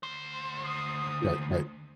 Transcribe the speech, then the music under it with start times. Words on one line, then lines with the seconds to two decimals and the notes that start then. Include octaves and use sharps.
Right, right.
0.03 D2 C5
0.65 D#6